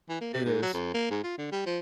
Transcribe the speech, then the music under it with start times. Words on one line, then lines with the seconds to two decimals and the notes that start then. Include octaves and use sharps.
It is.
0.09 E3
0.21 A#3
0.34 C3
0.45 G#2
0.62 F#3
0.74 F2
0.94 A#3
1.11 G#2
1.24 F4
1.38 D3
1.52 G3
1.66 F3